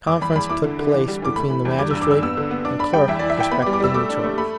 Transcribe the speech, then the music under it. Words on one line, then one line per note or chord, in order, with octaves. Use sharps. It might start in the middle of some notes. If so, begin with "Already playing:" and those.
Conference took place between the Magistrate and clerk respecting the charge.
E2 D6
E2 B5
E2 B5
E4 D6
D3
D3
E3
G3
E3 D6
A3 B5
E3
E2
G3 D6
G2 E6
D6
G2 E6
B3 E6
D3
B3
D4 D6
D4 B5
G3 G5
E2 E5
E3 D5
E5
E3 G5
B3 B5
D6
G3
D6
G3 E6
A3 D6
D4
A3
A3 B5